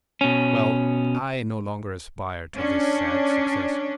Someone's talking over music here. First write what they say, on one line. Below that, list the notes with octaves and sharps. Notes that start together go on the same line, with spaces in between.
Well, I no longer aspire to this sad success!
B2 C#4
C#4 D4